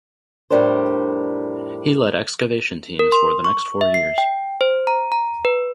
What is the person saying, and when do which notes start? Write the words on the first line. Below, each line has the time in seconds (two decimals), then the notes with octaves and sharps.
He led excavation teams for the next four years.
0.50 F2 A2 G3 D4 A#4 C5
2.99 A#4
3.12 C6
3.44 C#6
3.81 E5
3.94 C7
4.18 G5
4.61 C5
4.87 A#5
5.12 A#5
5.45 B4